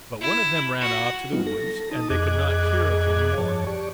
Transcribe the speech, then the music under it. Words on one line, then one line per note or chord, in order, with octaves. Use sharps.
But one of them ran off to the woods, and they could not hear of him more.
E4
F#4
F#3 G3 B3 D#4 F4
A4 A#6
D#4 A5 D#6
F2 G#4 D#5 D6 F#6 G#6
G2 F3 C#5 A5
G4 D5 C#6